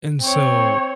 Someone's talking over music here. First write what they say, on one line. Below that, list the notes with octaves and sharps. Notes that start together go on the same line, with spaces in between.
and so
C4 C#5